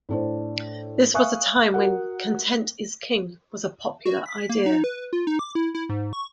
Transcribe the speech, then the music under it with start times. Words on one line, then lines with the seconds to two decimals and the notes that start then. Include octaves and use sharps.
This was a time when "content is king" was a popular idea.
0.09 A2 D4 C5
1.14 E5 F5 G#5 C#6 D#6 F#6
1.74 F#4 A#4 F#5
4.05 F#4
4.26 B6
4.49 A#3
4.66 D#4
4.84 B4
5.13 F4
5.27 D#4
5.39 D6
5.55 E4
5.75 E4
5.89 G#2
6.13 C#6